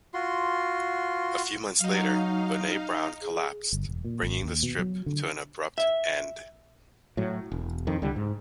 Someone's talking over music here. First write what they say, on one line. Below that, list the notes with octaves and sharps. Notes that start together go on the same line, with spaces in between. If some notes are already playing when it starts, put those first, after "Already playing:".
A few months later, Bonnet-Brown collapsed, bringing the strip to an abrupt end.
F4 F#4 C6
F#3 D#4 F5
G#4
G1
E1
A#2
G#1
D#2
B2
F#3
D3
E5
A2 F#3
E1
F2 D#3
C2 D3 G3
G#2